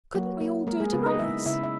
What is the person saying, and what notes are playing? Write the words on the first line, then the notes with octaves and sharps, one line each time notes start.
"Couldn't we all do it among us?"
F#3 A#3 F#4
A#3
G#3 A#3 A#4
G#3 G#4
C#3 B3 B4
D#4 D#5
G#3 E4 E5
C#3 E4 E5
E5